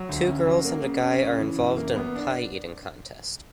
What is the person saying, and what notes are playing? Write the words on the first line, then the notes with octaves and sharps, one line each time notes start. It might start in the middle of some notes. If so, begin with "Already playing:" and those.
Two girls and a guy are involved in a pie eating contest.
Already playing: F#3
D2
C#4
F#3
A#3
C#3
C#4
C#3
E3
F#2
A#3
B3
D4